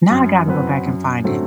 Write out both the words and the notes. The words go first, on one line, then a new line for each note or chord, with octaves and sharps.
Now I gotta go back and find it.
F#2
F#3 C4 F#4 B4
F#2
D3 F#3 A3 C4